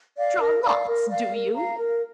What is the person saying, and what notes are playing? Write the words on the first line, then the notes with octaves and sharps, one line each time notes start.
Draw lots, do you?
D5 F5
A#4
D5 F5
A#4
D5 F5
A#4
F5 A#5
A#4